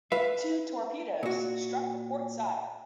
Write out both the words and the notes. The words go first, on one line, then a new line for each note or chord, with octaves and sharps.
Two torpedoes struck the port side.
B4 E5 F5
A#2 F#4